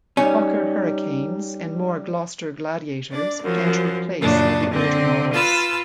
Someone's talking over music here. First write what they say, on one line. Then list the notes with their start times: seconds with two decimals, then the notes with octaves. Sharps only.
Hawker Hurricanes and more Gloster Gladiators began to replace some of the older models.
0.17 G3 C#4 D#4 C#5
3.12 D4 D5
3.41 F#2 F3
4.21 F#2 A#2 C#3 D4
4.71 D3 C4
5.33 F4 B4 A5 E6